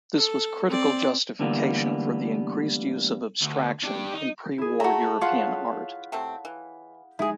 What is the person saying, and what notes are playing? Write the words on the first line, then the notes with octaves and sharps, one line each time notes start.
This was critical justification for the increased use of abstraction in pre-war European art.
A4
C4 D5
D2 D3 E3 G3 A#3 B3
D2
D4 G4
D#4
E4 G#4
A3 F#4 A#5
F4 B4 C#5 F5 F#5
C3 A3 C4
E3
G#3 D#4 E4 G#4